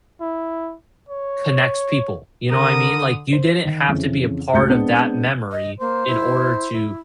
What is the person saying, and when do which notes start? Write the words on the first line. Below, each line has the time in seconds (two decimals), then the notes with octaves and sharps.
connects people, you know what I mean? Like, you didn't have to be a part of that memory in order to,
0.21 E4
1.09 C#5
2.51 D3 A#4 D#6
3.33 C5
3.65 D#3
3.88 F2 C#3 E3
4.53 C#2 A2 F#4 G#4 G6 C#7
4.69 G#3 B3 C4 D4
5.52 D#5
5.80 A#3 C5
6.07 E4
6.73 E4